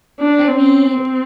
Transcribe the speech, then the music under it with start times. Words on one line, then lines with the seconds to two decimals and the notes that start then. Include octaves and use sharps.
I mean,
0.20 D4
0.48 C4
0.91 C4